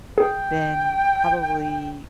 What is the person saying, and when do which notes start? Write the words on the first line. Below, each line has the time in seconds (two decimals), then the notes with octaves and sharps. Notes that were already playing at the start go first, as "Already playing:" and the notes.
been probably
0.18 G#4 G5